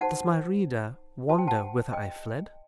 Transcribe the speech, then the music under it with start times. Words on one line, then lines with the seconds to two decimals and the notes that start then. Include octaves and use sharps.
Does my reader wonder whither I fled?
0.01 D#4 F#4 C5 F#5 A5
1.29 D#4 F#4 C5 A5
1.38 G5
1.47 F#5 A5
1.92 D#5 G5